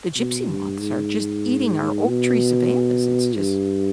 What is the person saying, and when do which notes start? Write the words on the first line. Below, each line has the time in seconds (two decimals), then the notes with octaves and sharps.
The gypsy moths are just eating our oak tree savannahs. It's just
0.17 B2
0.47 G2
0.80 G#2
2.08 B2
3.36 G2